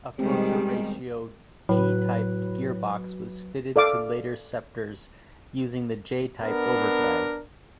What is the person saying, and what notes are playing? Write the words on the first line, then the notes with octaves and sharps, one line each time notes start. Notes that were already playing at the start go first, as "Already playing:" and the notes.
A closer ratio G-type gearbox was fitted to later Sceptres, using the J-type overdrive.
B2 D#3 G3 G#3 C4 G4
A2 F#3 B4
A4 D5 F5 D6
B3 D4 A#4